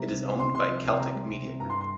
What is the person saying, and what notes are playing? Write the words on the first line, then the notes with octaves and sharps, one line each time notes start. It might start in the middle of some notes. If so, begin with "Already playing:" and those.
It is owned by Celtic Media Group.
Already playing: C3 G3 A#5
C2
C3
C2 C6
C3 C6
F3
C2 G5
C3 A#5
G3
C2
C3
G2 A#5
C6
C6